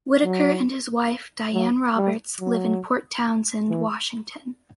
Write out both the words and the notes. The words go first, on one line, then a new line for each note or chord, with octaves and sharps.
Whittaker and his wife, Dianne Roberts, live in Port Townsend, Washington.
F#3
F#3
G3
F#3
E3